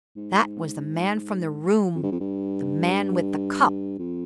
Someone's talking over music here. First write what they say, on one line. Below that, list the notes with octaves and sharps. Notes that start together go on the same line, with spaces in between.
That was the man from the room--the man with the cup!
G#2
F2
G2
F2
G2
F2